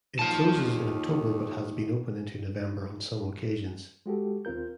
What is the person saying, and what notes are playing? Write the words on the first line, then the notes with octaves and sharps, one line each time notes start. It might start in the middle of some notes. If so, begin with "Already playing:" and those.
It closes in October but has been open into November on some occasions.
D#2 F4 A5
G#3 F#4 G4 A4
D#2 C4 F4 A#4 G6